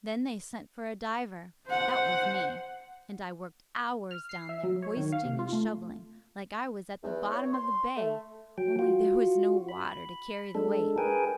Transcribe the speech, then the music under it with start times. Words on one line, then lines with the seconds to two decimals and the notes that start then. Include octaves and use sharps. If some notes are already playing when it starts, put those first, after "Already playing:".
Then they sent for a diver--that was me--and I worked hours down there hoisting and shoveling, like I was at the bottom of the bay, only there was no water to carry the weight.
1.67 C5 F#5
4.11 F6
4.29 C7
4.49 E5
4.63 F#3
4.82 C#5
4.97 D#3
5.12 F5
5.25 C3
5.39 F4
5.53 A3
7.04 E2
7.31 C#5
7.53 C6
7.96 A3
8.58 F#3 G5
8.79 F4 F#4
9.69 B5
10.55 G#3 D4 A4
10.98 G#4 A#4 B4 G5 G#5